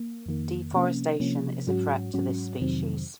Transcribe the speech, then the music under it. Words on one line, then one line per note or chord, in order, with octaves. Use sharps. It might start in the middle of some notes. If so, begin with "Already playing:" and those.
Deforestation is a threat to this species.
Already playing: A#3
F2 D#3 A#3
C3 F3 A#3 C#4
C3 F3 A#3 C#4
G#2 F#3 C#4 F#4
G#2 F#3 C#4 F#4
F2 C3 D#3 F#3 C4